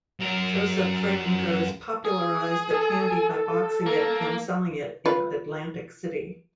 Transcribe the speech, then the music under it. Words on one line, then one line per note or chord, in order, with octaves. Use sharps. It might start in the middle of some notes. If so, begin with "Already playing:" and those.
Joseph Fralinger popularized the candy by boxing it and selling it in Atlantic City.
F#2 A#4
G#4
A4
A#3
F4 B4